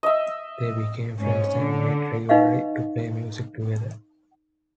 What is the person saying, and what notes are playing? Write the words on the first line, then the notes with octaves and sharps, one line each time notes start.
They became friends and met regularly to play music together.
D#5 E5
G#2 C#4
D3
D#4 B4 D#5 F5 F#5 C#6